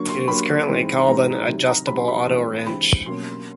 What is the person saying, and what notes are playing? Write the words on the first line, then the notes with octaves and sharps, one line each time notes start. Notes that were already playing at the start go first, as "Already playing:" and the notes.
It is currently called an "Adjustable Auto Wrench".
Already playing: D3 F#3 A#3 C#6
C6
D3 F#3 A#3 B5
G#2 E3 G#3 C4
G#2 E3 G#3 C4 A#5
C3 D#3 F#3
A#5
C3 D#3 F#3 B5
C6
B5
G2 E3 G#3 C4
G2 E3 G#3 C4 B5
B2 F#3 A#3 C#4 C6